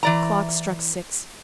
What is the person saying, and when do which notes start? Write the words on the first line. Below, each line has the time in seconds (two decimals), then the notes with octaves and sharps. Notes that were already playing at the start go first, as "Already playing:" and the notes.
The clock struck six.
0.03 E3 D5 A#5